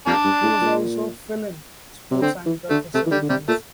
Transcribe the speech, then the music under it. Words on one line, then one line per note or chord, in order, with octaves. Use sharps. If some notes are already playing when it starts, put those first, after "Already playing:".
He was also 'fill-in' sports anchor for Seven News.
F2 G3 A#3 D4
G2
A2
A#2
C3
D3 C4
E3
D3 A3
C3 A3
E3
D3 G3
D3
C3 G3
A#2 A3